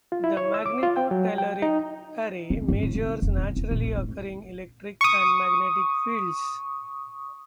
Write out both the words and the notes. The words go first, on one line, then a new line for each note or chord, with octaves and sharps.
The Magnetotelluric Array measures naturally occurring electric and magnetic fields.
F4
E4
C#5
E6
D6
F4
G5
F#3
G5
D#4
C#2
G1
A2
C#3
F1
B2
E1
A#1
A2
C#6 D#6